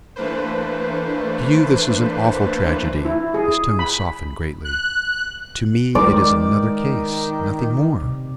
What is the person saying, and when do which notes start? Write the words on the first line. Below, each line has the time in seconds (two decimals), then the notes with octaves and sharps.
To you this is an awful tragedy," his tone softened greatly, "to me it is another case, nothing more.
0.16 E3 A3 A#3 D4 B4 C5
3.05 E4
3.34 G#4
3.79 B5
4.65 F#6
5.95 D#3 G#3 D5
8.00 C3